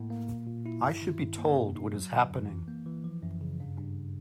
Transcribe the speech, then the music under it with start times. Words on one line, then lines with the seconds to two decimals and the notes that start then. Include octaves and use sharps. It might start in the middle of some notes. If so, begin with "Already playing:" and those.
I should be told what is happening.
Already playing: A2 A#3
0.10 A#3
0.29 A#2
0.47 A#2
0.66 E4
0.84 G2
1.02 D#3
1.20 G2
1.38 A#3
1.57 C3
1.75 D#4
1.94 F#3
2.12 D3
2.31 F#2
2.49 E3
2.68 A#3
2.86 E3
3.04 F3
3.23 F#2
3.41 C#3
3.60 G2
3.78 G2